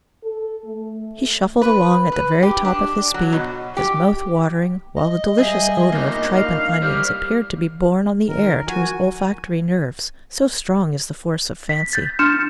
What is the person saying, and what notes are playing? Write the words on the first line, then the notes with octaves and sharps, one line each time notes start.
He shuffled along at the very top of his speed, his mouth watering, while the delicious odour of tripe and onions appeared to be borne on the air to his olfactory nerves: so strong is the force of fancy.
A4
A3
B4
B4
G4
D4
F#3
B2
G4
D#5
G3 G#4 E5
A#3 D4 D#4 A#4
F5
G3 C5 D5 F6
D#3 A#4
F3 F#4 G#5
B6
G6 A6
D4 C6 F6 G6 C#7 E7